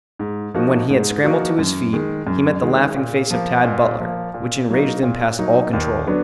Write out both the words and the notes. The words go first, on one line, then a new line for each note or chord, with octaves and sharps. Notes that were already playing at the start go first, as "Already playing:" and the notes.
And when he had scrambled to his feet, he met the laughing face of Tad Butler, which enraged him past all control.
G#2
F3 A#3 D#4 F#4
G#2
F3 A#3 D#4 F#4
F#2
D#3 G#3
F#2
D#3 G#3
A#2
F3 A#3
A#2
F3 A#3
A#2
F#3 A#3 D#4
A#2
F#3 A#3 D#4
D#2
D3 F#3 B3 D4